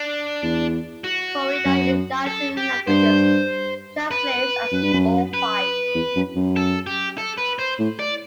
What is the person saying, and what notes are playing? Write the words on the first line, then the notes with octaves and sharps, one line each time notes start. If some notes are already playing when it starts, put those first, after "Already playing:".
Corrida in Latin languages translates as bullfight.
Already playing: D4
E2
F#4
F#2
A4
G4
G2 C5
B4
F#2
G2
F#2
B4
E2
F#2
F#2
A4
G4
A4
B4
C5
A2
D5